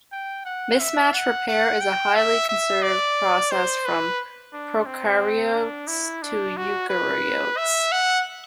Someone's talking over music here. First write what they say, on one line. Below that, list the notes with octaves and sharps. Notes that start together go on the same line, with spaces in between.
Mismatch repair is a highly conserved process from prokaryotes to eukaryotes.
G5
F#5
E5
F#5
F#5
G5
E5
E5
D5
C5
B4
D4
C4
D4
E4
D4
F#4
B4
E5
F#5